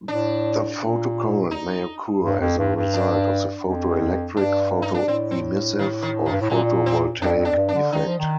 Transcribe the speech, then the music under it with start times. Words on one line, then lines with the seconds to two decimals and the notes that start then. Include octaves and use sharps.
The photocurrent may occur as a result of the photoelectric, photoemissive, or photovoltaic effect.
0.08 A2 D4
0.79 A#2
1.51 D#4
2.23 G2
2.40 F2
2.58 G2
2.76 G2
2.94 D4
3.65 F2
4.37 G2 D4
4.82 D#4
4.94 D4
5.07 A2 C4
5.31 C4
5.79 D#3
6.02 D#3
6.26 D#3
6.31 G2
6.41 A2
6.50 A#2 D3
6.86 C4
7.21 F2 D4
7.39 F2
7.45 D4
7.52 F2
7.56 G2
7.69 D4
7.75 D3
7.92 D#3 D#4
8.06 F3
8.18 D#3